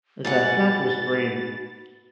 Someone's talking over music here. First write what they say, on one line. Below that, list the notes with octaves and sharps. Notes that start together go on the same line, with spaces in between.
Their flag was green.
G#2 B3 F#4 F#5 A6